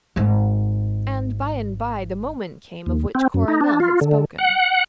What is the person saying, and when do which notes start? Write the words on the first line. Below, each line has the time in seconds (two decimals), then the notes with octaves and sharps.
And by and by the moment came of which Coronel had spoken.
0.16 G#1 G#2
2.86 D#2
3.15 C4
3.34 F#2
3.48 D#4
3.61 D4
3.80 F4
4.01 D3
4.38 F#5